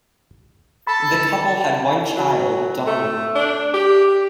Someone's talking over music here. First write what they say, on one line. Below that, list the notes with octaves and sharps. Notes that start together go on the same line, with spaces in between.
The couple had one child, Donald.
A4 B5
F#3
A3
D4
G4